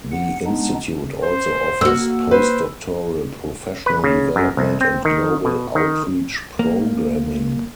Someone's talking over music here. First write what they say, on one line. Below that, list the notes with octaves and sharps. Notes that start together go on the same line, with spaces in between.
The Institute also offers Post Doctoral, professional development and global outreach programming.
F#5
G#3 B3 D4 D#4
C5
A#3 F#4 E6
B4 C5
B4
C#3
F#2
C2
C4
D#3
B2
D#3
A#3